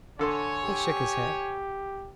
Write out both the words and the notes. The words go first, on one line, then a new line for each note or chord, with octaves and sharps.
He shook his head.
D3 A4 C#5 G#5 C6
G4